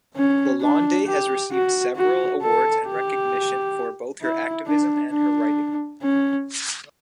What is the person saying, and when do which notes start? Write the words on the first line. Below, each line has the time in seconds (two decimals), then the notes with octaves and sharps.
Lalonde has received several awards and recognition for both her activism and her writing.
0.16 C#4
0.61 D4
1.06 G4
1.52 F#4
1.96 F#4
2.42 A4
2.87 G4
4.21 E4
4.67 D4
5.12 D4
6.02 C#4